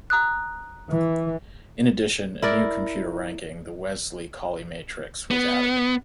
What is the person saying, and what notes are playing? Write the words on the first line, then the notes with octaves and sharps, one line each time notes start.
In addition, a new computer ranking, the Wesley Colley Matrix, was added.
A#5 D#6 F#6
E3
E4 A#4 D5
B3